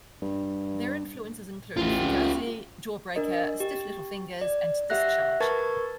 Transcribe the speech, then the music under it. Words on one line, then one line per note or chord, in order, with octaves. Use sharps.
Their influences include Fugazi, Jawbreaker, Stiff Little Fingers and Discharge.
G2
A1 F4 G4
C#2
D4 A#4 D#5
G4
D5
G4 E5 F#5 F#6 A#6
A#4 B4 A5 C#6 G#6 A6